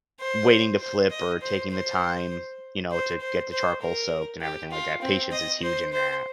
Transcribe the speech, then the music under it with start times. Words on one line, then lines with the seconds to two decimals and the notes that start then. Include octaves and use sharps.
waiting to flip or taking the time, you know, to get the charcoal soaked and everything like that. Patience is huge in that.
0.19 C5
0.80 C5
1.10 D#5
1.41 C5
1.70 C5
2.92 C5
3.20 C5
3.51 C5
3.81 A#4
4.41 G4
4.71 F4
5.02 C4
5.31 D#5
5.63 C5
5.93 C5